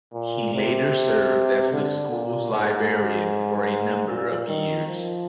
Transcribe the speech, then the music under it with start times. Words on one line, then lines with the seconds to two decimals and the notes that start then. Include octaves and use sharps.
He later served as the school's librarian for a number of years.
0.14 A#2
0.53 C3
1.72 D3
2.11 A#2
2.51 G#2
4.08 A#2
4.48 D#3
4.87 F3